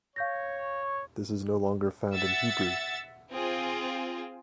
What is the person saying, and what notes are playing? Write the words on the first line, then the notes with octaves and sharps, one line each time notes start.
This is no longer found in Hebrew.
C#5 F5 G6 A#6
E5 F#5 E6 A6
C4 F4 G#4